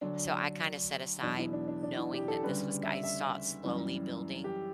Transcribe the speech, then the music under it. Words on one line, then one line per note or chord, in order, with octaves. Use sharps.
So, I kinda set aside knowing that this was c I saw it slowly building
D2 D3 F#3 D4
E2 B2 F#3 D4
E4
D4
D4
D4
E4
G4
A4
D2 C#3 G3 B4
E5
E5
F#2 E3 G3
G4